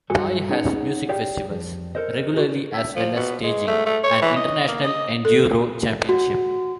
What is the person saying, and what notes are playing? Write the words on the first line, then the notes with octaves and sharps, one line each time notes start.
Pai has music festivals regularly as well as staging an international Enduro championship.
G2 F#4 A4 G#5
C#4 D#4 G#4 C#5 F#5
G4 G#4 C#5 D5 F5 G5
F2
A4 A#4 C5 D#5
F#4 G#4
E5
F3
B2
G#3
A3
A3
C#5
E3
D#5
A#3
D#5
A4
F#4